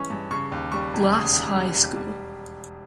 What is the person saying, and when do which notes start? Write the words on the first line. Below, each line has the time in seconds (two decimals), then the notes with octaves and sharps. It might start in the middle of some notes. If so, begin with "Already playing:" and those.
Glass High School.
Already playing: G2 E3 G#3 C#4 C#6
0.10 G2
0.31 C#3 C#6
0.52 D#2
0.72 G3 C#6
0.93 E1
1.13 C#3 D#6
1.34 D#2
1.55 G3
1.75 E1
1.96 G3